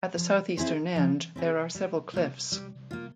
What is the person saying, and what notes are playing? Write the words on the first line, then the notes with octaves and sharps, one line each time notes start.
At the south-eastern end, there are several cliffs.
F3
C4 E4 G#4 C5
F3
C4 E4 G#4 C5
G3
A#3 F4
G3
A#3 F4